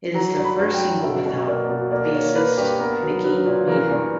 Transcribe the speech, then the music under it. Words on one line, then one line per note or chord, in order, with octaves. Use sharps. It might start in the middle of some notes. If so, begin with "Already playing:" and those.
It is their first single without bassist Mickey Madden.
F#3 A#5
G2
B5
G2
G5
F#3
B2 E5
B2
A#3 D5
B2
A#3 D5
A#3 C#5
A#3 B4
G2 G4
B3 A#4
F#3
F#3 B4
A#2
E3 A#4
G2